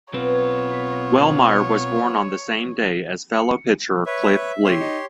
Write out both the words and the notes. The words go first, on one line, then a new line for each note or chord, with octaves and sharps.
Wellemeyer was born on the same day as fellow pitcher Cliff Lee.
B1 B3 C4 F4 B4 C#5
B4 C#5 E5
G4 C#5 C6
D#4